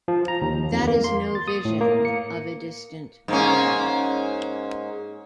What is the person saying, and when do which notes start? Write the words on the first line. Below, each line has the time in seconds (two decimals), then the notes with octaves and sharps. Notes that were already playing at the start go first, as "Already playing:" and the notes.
That is no vision of a distant millennium.
0.08 F3
0.28 A#5
0.42 D#2
0.72 F2
0.87 A#3
1.04 C6
1.35 A6
1.48 D#6
1.65 A2
1.81 A#3
2.05 C#7
3.28 G#2 A#3 C#4